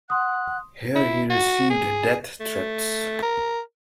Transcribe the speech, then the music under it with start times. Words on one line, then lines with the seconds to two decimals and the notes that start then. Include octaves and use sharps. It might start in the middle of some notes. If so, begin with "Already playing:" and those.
Here he received death-threats.
0.10 F#5 C6 D#6 F#6
0.95 E4
1.30 F#4
1.70 G#4
2.40 A3
3.23 A#4